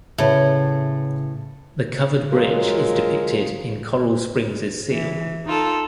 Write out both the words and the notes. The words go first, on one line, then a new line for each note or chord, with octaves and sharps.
The Covered Bridge is depicted in Coral Springs' seal.
A2 C#3 B4 C#5 E5
F3 F#3 G#3 F4 A#4
E3
D#4 F4 A4